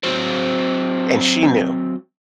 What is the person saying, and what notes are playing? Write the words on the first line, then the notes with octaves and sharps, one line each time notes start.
and she knew.
F#3 C4